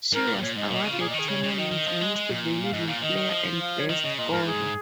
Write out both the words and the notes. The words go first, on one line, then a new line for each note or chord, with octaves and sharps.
She was awarded tournament's Most Valuable Player and Best Scorer.
G#2 A#4
A#2
A#2 C#5
G#2 D#5
A#2 D#5
C#3
F4
A#2 G#4
D#5
D#3
G#4
C#3 C#5
C#3
D#3 D#5
D#3
F3
G#3
G#3
A#2
F5
G#2 D#5
A#2 F5
D#3 D#5
D#3
F3
F5
C#5
D#3 D#5
C#3 D#5
A#2 D#5
G#2 A#4
G#4